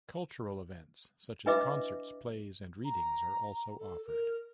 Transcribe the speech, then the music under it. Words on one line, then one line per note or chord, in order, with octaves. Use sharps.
Cultural events such as concerts, plays, and readings are also offered.
D4 E4 B4 D#5 E5 D6
A#5
A4
A#4